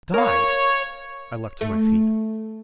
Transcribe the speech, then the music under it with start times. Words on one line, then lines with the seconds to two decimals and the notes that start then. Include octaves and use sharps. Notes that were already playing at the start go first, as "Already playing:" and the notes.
"Died!..." I leaped to my feet.
0.14 A#4 C#5 F5
1.61 A3